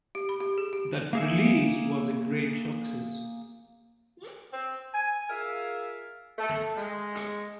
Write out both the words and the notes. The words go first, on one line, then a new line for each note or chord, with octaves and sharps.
The release was a great success.
G4
B5
G4
G#4
G4
A#3 G#4 E5
C4
G#5
F4 G#4 A#4 E5 F5
A3
G#3